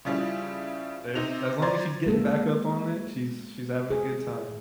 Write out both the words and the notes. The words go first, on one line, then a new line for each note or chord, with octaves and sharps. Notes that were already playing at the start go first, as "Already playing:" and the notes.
Eh as long as she's getting back up on it, she's she's having a good time.
C#3 F3 G3 C#4 E4
C3 D#4 F7
C5 D5 A#5 C6 G#6 A6
G#3 A#3 A4
G#4